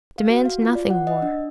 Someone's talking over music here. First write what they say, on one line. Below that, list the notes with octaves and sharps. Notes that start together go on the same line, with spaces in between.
Demand nothing more.
F5
F#4
F5
F4
D5
F#5
D#5
D4